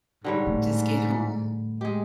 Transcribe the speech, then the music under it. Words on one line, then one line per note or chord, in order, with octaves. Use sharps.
Just get home.
G#2 D3 G3 C#5
A2
G#3 G4 G#4